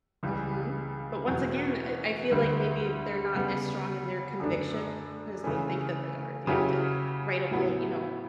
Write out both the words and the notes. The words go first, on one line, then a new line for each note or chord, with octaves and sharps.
Mhm. But once again, I I feel like maybe they're not as strong in their conviction as they think that they are. If you have to write a whole you know,
C#2 C#3 E3 G3
E2 B2 F#3
D2 D3 G3
C#3 G3 B3
F#2 D3 A3 D4
C#3 E3 A3 C#4
C#3 F#3 C#4 E4 G4
A2 F#3 B3 E4